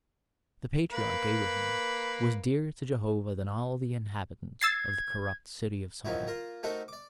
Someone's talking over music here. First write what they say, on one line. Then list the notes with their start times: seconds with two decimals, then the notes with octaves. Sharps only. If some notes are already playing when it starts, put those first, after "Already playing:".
The Patriarch Abraham was dearer to Jehovah than all the inhabitants of the corrupt city of Sodom.
0.93 A#3 B4
4.61 E6 G#6 A6 C7
6.05 D#3 F3 F#3 C4 E4
6.27 A#3 F4 A#4
6.63 A3 C4 D#4 F#4 A4 A#4
6.88 D5 D6